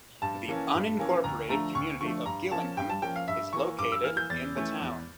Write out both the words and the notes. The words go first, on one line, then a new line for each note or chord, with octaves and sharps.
The unincorporated community of Gillingham is located in the town.
G2 A5
E3 A#3 C#4
G2
E3 A#3 C#4
D2 A#5
D3 F3 A3 A#5
D2 C#6
D3 F3 A3 C#6
G2 A#5
F3 A#3 C#4 A5
G2 G5
A5
F3 A#3 C#4 G5
F5
G2 E5
E3 A#3 C#6
G2 D6
E6
E3 A#3 F6
G6
E2 A6
E3 A3 C#4
E2